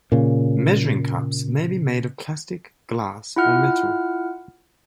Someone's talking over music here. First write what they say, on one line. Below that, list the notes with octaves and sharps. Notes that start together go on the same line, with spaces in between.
Measuring cups may be made of plastic, glass, or metal.
A#2 C#3
E4 F4 F#5 F6